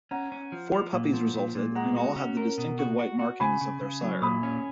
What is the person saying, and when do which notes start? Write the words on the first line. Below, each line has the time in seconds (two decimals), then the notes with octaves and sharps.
Four puppies resulted, and all had the distinctive white markings of their sire.
0.11 C#4 F#5 A#5
0.32 C#4
0.52 F3
0.73 F3
0.93 A#2
1.14 F3
1.34 A#2
1.55 A#2
1.75 G#3 F#5 A#5
1.97 F#4
2.17 C#4
2.37 A#4
2.58 B2
2.79 F#4
2.99 F#4
3.19 F#4
3.40 C#3 G#5 B5
3.61 C#3
3.81 C#3
4.02 F#3
4.22 A#2 B5 D#6
4.43 C#4